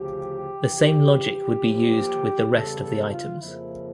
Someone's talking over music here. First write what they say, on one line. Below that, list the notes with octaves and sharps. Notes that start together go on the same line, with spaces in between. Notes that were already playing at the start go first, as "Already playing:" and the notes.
The same logic would be used with the rest of the items.
Already playing: D2 C#3 F3 G4
F2 C#3 E3
A#2 F3 A#3
E2 C#3 G3 A4
A4
F4
F2 C#3 F3 A#3 E4